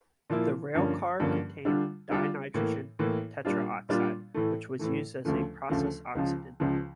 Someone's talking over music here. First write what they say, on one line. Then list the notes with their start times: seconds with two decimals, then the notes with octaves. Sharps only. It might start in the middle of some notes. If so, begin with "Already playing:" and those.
The railcar contained dinitrogen tetroxide which was used as a process oxidant.
0.30 A#2 F3 A#3 E4
0.75 G2 D3 F3 A#3 C#4
1.20 G2 D3 F3 A#3 C#4
1.65 D3 G3 D4 F4
2.10 D3 G3 D4 F4
2.54 A2 E3 A#3
2.99 A2 E3 A#3
3.45 A#2 G3 D4 F4
3.89 A#2 G3 D4 F4
4.34 A2 E3 A3
4.79 A2 E3 A3
5.25 D2 C#3 F3 A3
5.69 D2 C#3 F3 A3
6.15 C#2 C#3 F3
6.60 C#2 C#3 F3